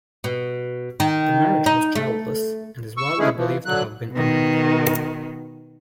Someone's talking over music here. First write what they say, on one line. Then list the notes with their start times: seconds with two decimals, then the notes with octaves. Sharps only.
The marriage was childless, and is widely believed to have been unhappy.
0.24 B2
1.00 D#3
1.66 D#4
1.95 A3
2.97 C#6 E6
3.19 G#3 A3 C#4 E4 G#4
3.37 E3 F3
3.65 D3 F#3 F#6
4.12 B2 D#3